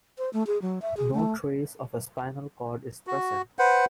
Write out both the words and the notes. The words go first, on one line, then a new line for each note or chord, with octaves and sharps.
No trace of a spinal cord is present.
C5
A3
G#4
F#3
E5
G#4
A3
F#4
B4 C5 F#5